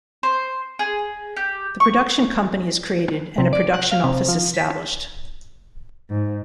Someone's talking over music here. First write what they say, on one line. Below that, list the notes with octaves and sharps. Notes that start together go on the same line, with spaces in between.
The production company is created and a production office established.
C5
G#4
G4
C#6
C3
D5
F#5
F5
C3
F3
B6
G#2